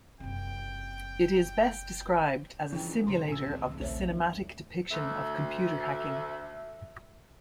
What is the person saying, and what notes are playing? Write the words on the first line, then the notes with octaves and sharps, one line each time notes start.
It is best described as a simulator of the cinematic depiction of computer hacking.
F#1 C3 G5
E3 F3 C#4 D4 E4 G5
A1 C#3 C5 A#5 C6
A#2 C#4 G#5 E6
C#2 C4
A#1 D#2 A3 C5 C#5 E5
D#3
D2 E5